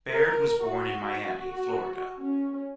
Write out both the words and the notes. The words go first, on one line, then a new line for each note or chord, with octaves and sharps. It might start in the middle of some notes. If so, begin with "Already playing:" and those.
Baird was born in Miami, Florida.
A#4
F#4
F#4
C#4